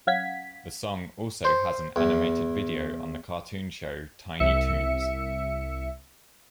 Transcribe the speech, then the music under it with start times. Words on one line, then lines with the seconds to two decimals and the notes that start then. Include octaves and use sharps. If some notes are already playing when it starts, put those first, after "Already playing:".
The song also has an animated video on the cartoon show Tiny Toons.
0.07 F#3 C#4 F5 F#5 G#6 B6
1.45 C5
1.96 E2
4.40 C2 E5 C#7